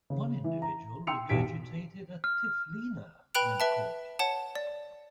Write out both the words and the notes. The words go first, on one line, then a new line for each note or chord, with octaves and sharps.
One individual regurgitated a "Typhlina" when caught.
C#3
E3
A#5
G5 C6 E6 C#7 F7
E1 B1 G4 B6 D7
F6
B4 G5 B5 F#6 D7 F7
B4 E5 A5
C#5 F#5 A5
D5